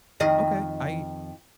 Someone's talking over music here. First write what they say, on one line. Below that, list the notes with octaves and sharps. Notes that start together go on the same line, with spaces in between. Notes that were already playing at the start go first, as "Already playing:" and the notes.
okay. I
F2 D#3 D#5